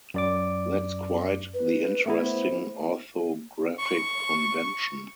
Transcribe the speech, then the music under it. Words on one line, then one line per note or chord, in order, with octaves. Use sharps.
That's quite the interesting orthographic convention.
F#2 D5 D6
B4
A3 B3 E4 E5
C5
C#6